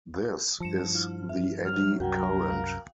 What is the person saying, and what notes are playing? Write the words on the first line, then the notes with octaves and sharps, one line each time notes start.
This is the eddy current.
G2 F3 A5 C#7 E7
E4 F6
E5
F#3 F6
C2 F#2 F#4 A#4 F#5 G5
F5